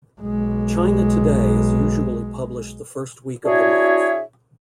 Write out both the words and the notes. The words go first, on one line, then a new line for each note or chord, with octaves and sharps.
"China Today" is usually published the first week of the month.
B1 G#3
D4 E4 F#4 G#4 C#5 E5